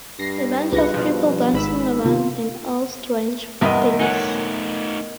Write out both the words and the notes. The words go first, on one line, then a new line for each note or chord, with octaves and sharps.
A bunch of people bouncing around and all strange things.
G2 A#6 C7
C2 F4 G#4 B4 A#6 C#7
B2 F3
G#1 G#2 B5 E6
D#2 C3 B3 F4
E2 G2 C3 B3 A#4 D#5
A3 D#4 C#5 F#5 G#5